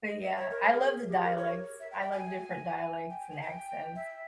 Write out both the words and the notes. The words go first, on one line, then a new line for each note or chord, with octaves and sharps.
But yeah, I love the dialects. I love different dialects and accents.
D#5
E5
C#5
A#4
G#4
G4
A#4
C#5
E5
G5
G5
G#5
G5
G5
G#5
G5
E5